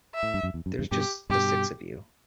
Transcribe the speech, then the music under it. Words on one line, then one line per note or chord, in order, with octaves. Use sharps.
There's just the six of you.
E5
A2
G2
F#2
E2
F#2
E2 G2
G2 B2 G4
G2 B2 G4